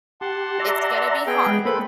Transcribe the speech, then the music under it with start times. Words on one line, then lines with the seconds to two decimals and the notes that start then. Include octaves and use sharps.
It's gonna be hard.
0.21 G4 F#5 A5 C6
0.60 D5 E5 A#5
1.27 B3 G#4 G5
1.46 G#3
1.65 A#3 A4 B4 C5 B5